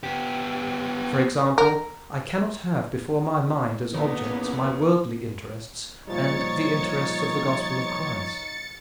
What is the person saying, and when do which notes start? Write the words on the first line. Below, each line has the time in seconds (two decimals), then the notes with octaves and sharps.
For example, I cannot have before my mind as objects my worldly interests and the interests of the gospel of Christ.
0.03 B3 G4
1.58 A#4
3.94 A#2 D#3 B3 D#4
4.23 E2 C#4
6.07 A#2 F3 G3 D#4 C#5 A6 C#7